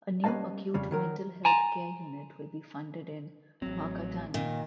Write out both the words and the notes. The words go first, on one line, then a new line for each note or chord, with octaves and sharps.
A new acute mental health care unit will be funded in Whakatane.
G3 C#4 B4 D#5 F5 A5
F2 C#3 G3
D#3 F#3 A#4
G#5 A#5
A1 F#3 C4
A#2 D#3